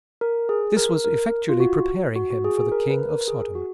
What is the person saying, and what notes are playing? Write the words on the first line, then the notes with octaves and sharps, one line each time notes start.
This was effectually preparing him for the king of Sodom.
A#4
G#4
A#4
A#4
F4
F#4
F#4
F#4
G#4
G#4
A#4
B4
A#4
G#4
F#4